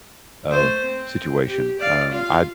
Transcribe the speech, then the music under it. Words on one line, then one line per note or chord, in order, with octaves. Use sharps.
uh, situation. Um, I
A3 C5
C4
G4
D5 F5
F4 F5